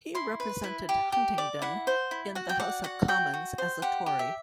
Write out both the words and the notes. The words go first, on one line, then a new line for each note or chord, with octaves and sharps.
He represented Huntingdon in the House of Commons as a Tory.
E4 C6
B4
E4
G4
G4
D5
E4 F#5
C5
E4
F#4 F#5
G5
D5 F#5
F#4 F#5
F#4 G5
F#4
C5
G4 F#5
G4
E5